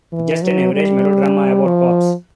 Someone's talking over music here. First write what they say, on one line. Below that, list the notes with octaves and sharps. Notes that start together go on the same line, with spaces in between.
Just an average melodrama about cops.
E3
F#3
G3
F3